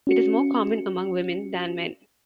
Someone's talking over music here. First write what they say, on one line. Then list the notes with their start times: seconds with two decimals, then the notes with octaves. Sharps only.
It is more common among women than men.
0.07 C#4 F#4 C#7